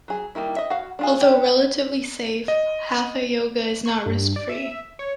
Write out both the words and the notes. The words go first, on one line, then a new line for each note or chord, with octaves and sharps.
Although relatively safe, Hatha Yoga is not risk free.
F#3 G#4
D#3 G3 A#3 E4
D#5 E5
F#4 F5
D4 F4 G#4
D4 G4
D#5
C#6
G2
D5
E5
C#5